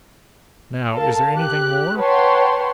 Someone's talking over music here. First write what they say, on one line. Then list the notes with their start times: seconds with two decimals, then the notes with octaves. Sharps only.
Now, is there anything more?'
0.93 A4 A#4 F5 A5
1.36 G4 F#6
1.99 B4 C#5 F#5 G5 A5 C6